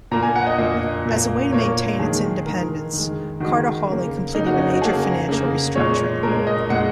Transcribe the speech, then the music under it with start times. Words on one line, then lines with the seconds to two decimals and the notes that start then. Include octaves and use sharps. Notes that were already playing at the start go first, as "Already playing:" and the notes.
As a way to maintain its independence, Carter Hawley completed a major financial restructuring.
0.11 A#2 A#3 A#5
0.23 G#5
0.36 F#5
0.47 D#5
0.58 A#2 A#3 D#5
1.05 A#2 A#3
1.52 A#2 A#3 C#5
1.99 D#3 G#3 G#4
2.46 D#3 G#3 A#4
2.93 D#3 G#3
3.40 D#3 G#3 F#4
3.88 C#3 A#3
4.35 A#3 D#4
4.39 C#3
4.47 F#4
4.54 C#4
4.59 D#4
4.70 F#4
4.81 C#3 A#3 G#4
5.29 C#3 A#3
5.75 A#2 G#3 C#5
6.23 A#2 G#3 A#4
6.47 D#5
6.69 A#2 G#3 F#5